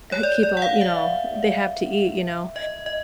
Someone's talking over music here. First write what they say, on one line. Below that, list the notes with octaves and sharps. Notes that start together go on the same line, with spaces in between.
Uh, keep all you know, they have to eat, you know,
C#5
D5
D5
F#5
F5
E5
D#5
D#5